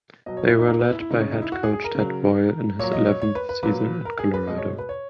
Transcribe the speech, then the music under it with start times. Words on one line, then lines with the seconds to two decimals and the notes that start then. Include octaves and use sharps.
They were led by head coach Tad Boyle in his eleventh season at Colorado.
0.26 B2 F#3 D#5
0.37 C#5
0.47 E4
0.59 D#4
0.68 A#3
0.79 B3
0.90 E4
1.00 E4
1.10 C#3 G#3 D#4
1.21 C#4
1.31 D#4
1.42 E4
1.52 F#4
1.63 G#4
1.73 G#4
1.84 A#4
1.95 C#3 F#3
2.79 A#2 F#3 C#5
2.93 D#5
3.07 C#5
3.22 C#5
3.35 B4
3.49 B4
3.63 A#2 F#3 B4
4.05 A#4
4.19 G#4
4.34 B4
4.47 B2 G#3 D#5
4.58 C#5
4.79 B4
4.89 C#5